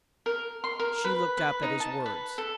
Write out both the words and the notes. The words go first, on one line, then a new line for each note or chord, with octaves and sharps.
She looked up at his words.
A#4
C6
A#4
B4
B4
D#4
A5
B4
A4